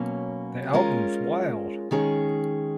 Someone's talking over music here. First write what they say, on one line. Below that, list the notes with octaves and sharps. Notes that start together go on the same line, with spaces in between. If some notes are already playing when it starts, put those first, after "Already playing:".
The albums Wild!
Already playing: B2 F#3 A#3 C#4
G#3 C#4 F4 A#4
D#3 G#3 C#4 G#4